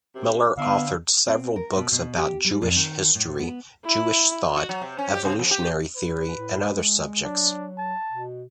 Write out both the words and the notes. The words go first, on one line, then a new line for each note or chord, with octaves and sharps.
Miller authored several books about Jewish history, Jewish thought, Evolutionary Theory, and other subjects.
F#2 C3
D3 B3 C4 D4 E4 F5
C4
A#4
B2
B2
G4
G3
F2
D#3
A2
B3
E4
F#4
F#3
C3
C#4
G4
C3
F2
G4
B4
A2
G#3
F#3 D4
A5
B2